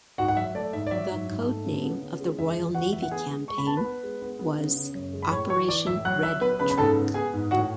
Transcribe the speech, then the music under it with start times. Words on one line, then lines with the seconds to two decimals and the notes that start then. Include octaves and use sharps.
The codename of the Royal Navy campaign was "Operation Red Trek".
0.18 G#2 F#4 F#5
0.28 F#5
0.36 F#3 E5
0.55 A3 D5
0.73 G#2 E5
0.87 D5
0.91 F#3 E5
1.10 G#2
1.28 G#2
1.46 A3
1.65 C#3
1.84 B3
2.02 C#3
2.20 G#3
2.38 E2 E5
2.57 E2
2.75 E2 F#4 F#5
2.93 E3 E5
3.02 F#5
3.11 B3 G#4 G#5
3.31 G#3
3.48 G#3 C#6
3.58 B5
3.67 B3 A5
3.77 B4 B5
3.84 B3
4.03 G#3
4.22 B3
4.39 B3
4.58 C#3
4.76 C#3
4.95 F#2
5.13 G#3
5.22 B5
5.31 A2 C#5 C#6
5.50 E3 C#5 C#6
5.68 E3 D5 D6
5.87 A2 E5 E6
6.05 F#3 F#5 F#6
6.23 F#3 E5 E6
6.41 B3 B4 B5
6.59 C#3 B4 B5
6.70 B5
6.78 G#2 A4 A5
6.97 B3
7.14 B3 G#4 G#5
7.33 G#2
7.51 A2 F#4 F#5